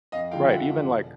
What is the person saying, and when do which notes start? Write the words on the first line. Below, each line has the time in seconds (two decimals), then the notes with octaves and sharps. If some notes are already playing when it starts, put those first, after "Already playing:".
right, even, like
0.12 F2 D#5 F5
0.31 D3 F3 G#3 F5 G5
0.51 F2 E5 F#5
0.71 D3 F3 G#3
0.89 E1